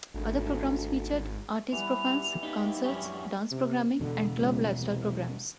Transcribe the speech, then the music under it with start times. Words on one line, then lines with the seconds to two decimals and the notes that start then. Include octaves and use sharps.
Other programs featured artist profiles, concerts, dance programming, and club lifestyle programs.
0.14 G#1 D2
1.72 E3 G3 B3 F7
2.43 D#4 G4 G5
2.84 F#2 C#4 D4 G4 C#6
3.51 C3
4.00 E2 B2 D3
4.37 C#2
4.80 C2